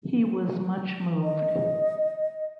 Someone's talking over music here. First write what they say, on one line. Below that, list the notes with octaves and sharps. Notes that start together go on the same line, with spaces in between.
He was much moved.
D#5